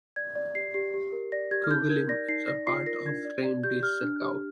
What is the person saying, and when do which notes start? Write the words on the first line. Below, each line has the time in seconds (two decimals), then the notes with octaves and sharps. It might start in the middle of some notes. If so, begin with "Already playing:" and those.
Kogalym is part of the raïon de Sourgout.
0.16 D5 G#6
0.36 D5
0.55 G4 C7
0.74 G4 C7
0.94 G4
1.12 A#4
1.32 D5 A#6
1.51 G4 G#6
1.64 F6
1.71 D#4 G6
1.90 A#4 G#6
2.09 D5 A#6
2.28 D#4 C7
2.48 D5 A#6
2.67 F4 C7
2.86 A#4 A#6
3.06 D4 G#6
3.25 D5
3.44 D5
3.63 G4 G6
3.83 G4 F6
4.03 D4
4.22 G4